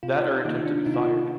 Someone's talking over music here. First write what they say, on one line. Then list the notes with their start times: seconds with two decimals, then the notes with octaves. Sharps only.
That earned him to be fired.
0.03 C3 F4
0.24 D#4
0.45 D#3 A#3 D#4
0.66 D4
0.86 C3 D#4
0.94 F4
1.02 D#4